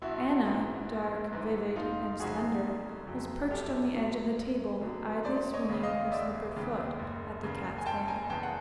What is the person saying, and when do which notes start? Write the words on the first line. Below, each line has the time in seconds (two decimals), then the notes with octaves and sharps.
Anna, dark, vivid, and slender, was perched on the edge of the table, idly swinging her slippered foot at the cat's head.
0.02 A#1 E4 F#4
0.45 G#2 E3
0.89 A#1
1.32 G#2 E3
1.76 F1 D#4 F4
2.20 F2 C#3 F#3 F#4 G#4
2.63 F1
3.07 F2 C#3 F#3
3.51 F#2 G4 A4
3.94 D3 F#3 B3
4.37 F#2
4.81 D3 F#3 B3
5.25 E1 C5 D5
5.53 C#5 D#5
5.69 D#2 C#3
5.83 D#5 F5
6.12 E1 D5 E5
6.56 D#2 C#3
6.99 F#1
7.43 E2 C#3
7.78 G#5
7.86 F#1 G5 A5
8.08 G#5 A#5
8.30 E2 C#3 G5 A5
8.43 F#5